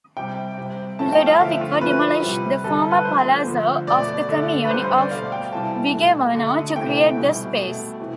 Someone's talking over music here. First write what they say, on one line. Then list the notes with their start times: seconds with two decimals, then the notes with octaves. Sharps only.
Ludovico demolished the former palazzo of the commune of Vigevano to create the space.
0.17 C3 G3 G5
0.58 C3 G3
0.99 A2 F3 A3 A5
1.13 G5
1.27 F5
1.40 D3 F3 A3 E5
1.61 F4
1.81 A2 F3 A3 B4
2.22 C3 G3
2.64 D3 G3 A4
2.91 B4
3.05 D3 F3 A3 C5
3.47 D3 F3 A3
3.87 B2 A3 D5
4.29 D3 A3
4.65 B4
4.70 D3 G3 C5
4.84 C5
4.98 D5
5.11 B2 A3 F5
5.32 G5
5.52 C3 E3 G3 A5
5.93 B2 A3
6.35 D3 A3
6.76 C3 E3 A3 G5
7.18 B2 G3
7.59 B2 A3
8.00 C3 E3